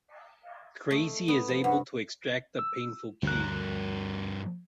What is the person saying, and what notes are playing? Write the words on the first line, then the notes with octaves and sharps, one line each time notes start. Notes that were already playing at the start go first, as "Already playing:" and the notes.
Krazy is able to extract the painful key.
A3 D#5
B3
F3
G2 F#5
E6
D2 G2 A#4 F#6